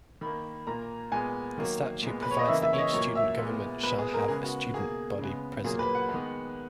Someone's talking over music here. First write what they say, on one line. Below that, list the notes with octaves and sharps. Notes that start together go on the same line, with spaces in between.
The statute provides that each student government shall have a "student body president".
D#3 A#3 B5
A#2 A#3 A#5
A#2 G#3 B3 G#5
D#3 F#3 A#3
A#2 G#3 B3
B4
C#5
D#5
C#3 E3 A#3 E5
E5
C#5
D#5
A#2 F#3 A#3 C#5
E5
A#2 G#3 B3
A#2 G#3 B3 B4
G#4
A#4
C#3 G#3 B3 G#4
F#4
B2 A#3 G#4
C#3 G#3 B3
A#2 F#3 A#3 G#4
B4
F#5
D#3 G#3 B3